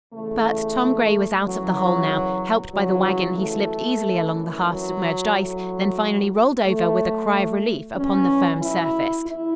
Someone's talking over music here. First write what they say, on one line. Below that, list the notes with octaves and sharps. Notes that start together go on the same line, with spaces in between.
But Tom Gray was out of the hole now; helped by the wagon he slipped easily along the half-submerged ice, then finally rolled over with a cry of relief upon the firm surface.
E2 C#3 E3 A3
F#2 C#3 E3 F#3
E2 C#3 E3 F#3
A3
F#2 E3
F#3
A2 F#3
A2 F#3 A3
E2 B2 F#3 C#4
E4
E2 E4